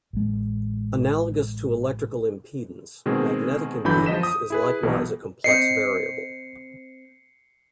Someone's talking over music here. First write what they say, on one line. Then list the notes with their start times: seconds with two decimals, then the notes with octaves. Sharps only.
Analogous to electrical impedance, magnetic impedance is likewise a complex variable.
0.13 A1 G#3
3.06 B2 D#3 G#3 C4 G#4
3.84 G1 D3 E3 F#3 B5 G6
4.06 F3 D#5 B6 E7
4.23 D#6
4.50 E4 G#4 B4
4.83 B1 B2 E3
5.44 C4 D#5 C7 C#7